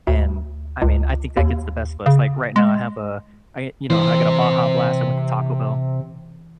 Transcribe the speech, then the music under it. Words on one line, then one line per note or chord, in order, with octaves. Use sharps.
and I mean, I think that gets the best of us. Like, right now I have a I you know, I got a Baja Blast; I went to Taco Bell.
D2
C#2
D#2
C#3
G#3
C3 E3 C5